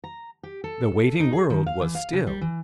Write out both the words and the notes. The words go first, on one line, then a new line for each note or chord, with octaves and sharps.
"The waiting world was still."
A#5
G4
A4
D#4
G#4
D#3
F5
E3
F5
C#3
G3
E3